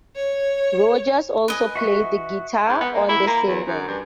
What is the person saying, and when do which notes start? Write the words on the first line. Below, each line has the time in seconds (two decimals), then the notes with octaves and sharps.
Rodgers also played the guitar on the single.
0.16 C#5
1.48 B4 D#5 G#5
1.76 F#4 E5 C#6
2.69 G#2
2.80 B3
2.93 A#3
3.09 E4
3.27 A#3
3.46 E2
3.67 F#2
3.87 G2